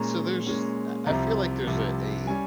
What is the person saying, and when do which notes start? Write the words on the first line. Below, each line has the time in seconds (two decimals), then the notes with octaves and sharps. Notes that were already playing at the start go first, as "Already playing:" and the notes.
so there's I I feel like there's a a
Already playing: A#2 G#3 C#4 A#5
0.47 A#2 G#3 C#4
1.06 C2 C3 F3 A#5
1.67 C2 C3 F3
2.27 G3 C#4 G#5